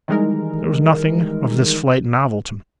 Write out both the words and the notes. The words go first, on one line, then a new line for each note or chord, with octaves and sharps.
There was nothing of this flight novel to me.
D#3 E3 G3 G#3 D#4 A#4